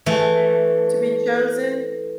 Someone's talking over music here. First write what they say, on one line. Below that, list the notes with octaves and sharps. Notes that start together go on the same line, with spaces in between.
to be chosen.
E3 A3